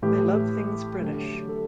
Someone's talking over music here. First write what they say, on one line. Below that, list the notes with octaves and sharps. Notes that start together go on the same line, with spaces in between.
I love things British.
A2 E3 A3 G4
D3 F#3 A3
A4